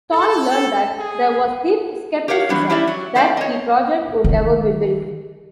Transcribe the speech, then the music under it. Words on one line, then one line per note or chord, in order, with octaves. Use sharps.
Thorne learned that there was deep skepticism that the project would ever be built.
A4
G#4
G4 A#4 C#5 F5 F#5
E3 F#3 G3 D4
C#4 E4 G4 D5 E5
F#3
A3 C4 C5 D5 F5
C#5 D#5
D#3